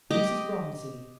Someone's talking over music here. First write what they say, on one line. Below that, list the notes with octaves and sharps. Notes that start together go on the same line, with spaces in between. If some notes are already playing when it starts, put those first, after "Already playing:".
Mrs. Romsey.
G4 D#5 D6